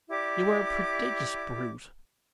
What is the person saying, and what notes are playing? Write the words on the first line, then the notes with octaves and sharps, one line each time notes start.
You are a prodigious brute.
E4 G4 D5 D6